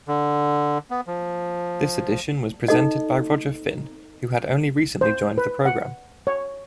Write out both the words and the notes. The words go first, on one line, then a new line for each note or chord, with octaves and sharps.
This edition was presented by Roger Finn, who had only recently joined the programme.
D3
B3
F3
D#4 A4 D#5
C5
B4
F#5
C#5